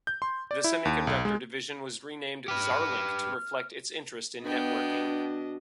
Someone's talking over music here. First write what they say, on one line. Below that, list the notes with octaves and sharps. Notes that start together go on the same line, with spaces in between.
The semiconductor division was renamed Zarlink to reflect its interest in networking.
G6
C6
D5
E4
D#2
B1
G#3
G4 B4 F6
B2 B3 D4 D#5 G5 C#6